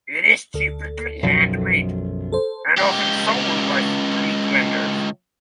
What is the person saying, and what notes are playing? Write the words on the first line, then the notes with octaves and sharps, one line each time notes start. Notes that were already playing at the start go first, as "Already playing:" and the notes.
It is typically hand-made, and often sold by street vendors.
D2 A4
B1 F#2 F3
A4 C5
C#2 G4